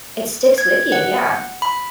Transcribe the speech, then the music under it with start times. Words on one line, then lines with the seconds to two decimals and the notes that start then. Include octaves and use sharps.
it sticks with you, yeah.
0.58 G#6
0.92 F#5
1.62 B5